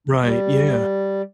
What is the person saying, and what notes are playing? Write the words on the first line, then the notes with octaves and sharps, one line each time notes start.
Right, yeah.
G3